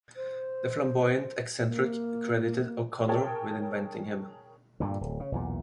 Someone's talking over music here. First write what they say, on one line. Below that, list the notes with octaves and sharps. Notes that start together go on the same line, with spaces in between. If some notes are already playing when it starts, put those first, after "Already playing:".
The flamboyant eccentric credited O'Connor with inventing him.
C5
A#3
G#4 A#4 C#5 G5 A5
G2 A#2 D3
D1
C#3
B1 E2 A#2